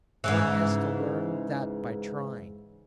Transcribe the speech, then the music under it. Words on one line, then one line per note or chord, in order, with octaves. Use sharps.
One has to learn that by trying.
G#2 C#3 E3